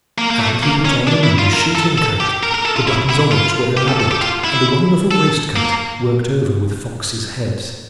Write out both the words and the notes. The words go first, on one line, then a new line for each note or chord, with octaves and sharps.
And he put on a new shooting-coat, the buttons on which were elaborate, and a wonderful waistcoat worked over with foxes' heads.
A#3
A#3
A3
A#3
C#4
D4
E4
F4
A#4
A4
A4
G4
A#4
A#4
A4
F4
E4
E4
F4
G4
A4
A4
G4
F4
E4
A4
A#3